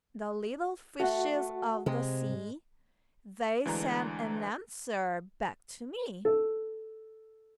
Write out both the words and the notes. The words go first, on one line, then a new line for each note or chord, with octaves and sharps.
The little fishes of the sea, They sent an answer back to me.
A3 F#4 F#5
C3 G#3
G#2
D2 E3 G#3 D4 A#5
A4